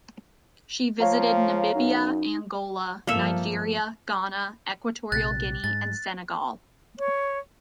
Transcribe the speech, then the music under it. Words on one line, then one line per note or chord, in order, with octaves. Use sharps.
She visited Namibia, Angola, Nigeria, Ghana, Equatorial Guinea and Senegal.
F3 C#5 F5 A#5
F#2 D#4
G2 F3 A#3 A4 E5
A#1 C3 F#6 A6
G#2 A6
C#5